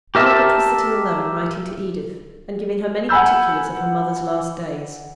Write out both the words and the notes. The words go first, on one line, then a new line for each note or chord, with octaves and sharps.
Margaret was sitting alone, writing to Edith, and giving her many particulars of her mother's last days.
G4 A#4 E5 A5
F#5 G#5 B5 E6 G6